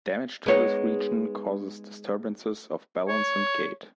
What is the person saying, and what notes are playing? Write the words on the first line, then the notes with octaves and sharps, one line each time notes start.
Damage to this region causes disturbances of balance and gait.
G#3 B3 D#4 B4 C#5
C#5